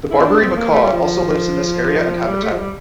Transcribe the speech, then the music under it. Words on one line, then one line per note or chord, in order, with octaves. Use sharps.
The Barbary macaque also lives in this area and habitat.
E4
C4
D4
C4
A#3
A3
G3
F3
F3
G3
A3
F3
G3